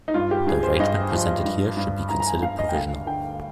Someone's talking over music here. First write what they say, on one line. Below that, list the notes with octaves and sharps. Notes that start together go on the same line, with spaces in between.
The arrangement presented here should be considered provisional.
D#4
G2 F4
G4
G2 G#4
C5
G2 D#5
F3
G2
G2
G2 A#5
A#5
G#5
G2 F5
D#5
G5
D2 F5
D3 G5